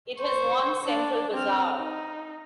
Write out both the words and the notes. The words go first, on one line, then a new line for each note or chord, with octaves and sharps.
It has one central bazaar.
C5 C#6
D4
C4 F6
D#4